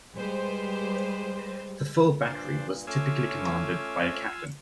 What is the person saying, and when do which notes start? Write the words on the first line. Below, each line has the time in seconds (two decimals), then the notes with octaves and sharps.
The full battery was typically commanded by a captain.
0.16 G3 G#3 G4 B4 C5
2.27 G2 A#2 D4 C5
2.87 A3 C#4 F4 G#5 D6 E6